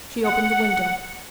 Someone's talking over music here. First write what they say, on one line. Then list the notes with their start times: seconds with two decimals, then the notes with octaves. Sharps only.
She opened the window.
0.24 F#5